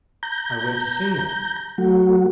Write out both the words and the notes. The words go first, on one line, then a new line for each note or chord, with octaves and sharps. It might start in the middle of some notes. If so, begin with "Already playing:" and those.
"I went to see him."
A#5 G6
F#3 A3 F#4